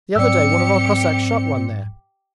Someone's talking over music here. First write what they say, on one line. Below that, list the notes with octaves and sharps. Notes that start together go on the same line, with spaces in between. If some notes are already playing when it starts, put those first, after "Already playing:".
The other day one of our Cossacks shot one there.
G#2 F#3 C4 G4 D5 E6 C#7